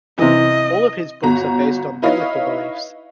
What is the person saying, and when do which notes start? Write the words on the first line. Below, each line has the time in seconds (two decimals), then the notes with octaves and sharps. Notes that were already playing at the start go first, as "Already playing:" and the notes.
All of his books are based on biblical beliefs.
0.18 C3 E3 D#5
1.23 G1 F#4 A#5
2.02 D#4 E4 B4 C#5 D#5 F5